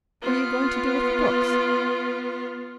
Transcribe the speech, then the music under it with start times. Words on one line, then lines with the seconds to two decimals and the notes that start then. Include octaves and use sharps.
What are you going to do with the books?
0.22 B3 F4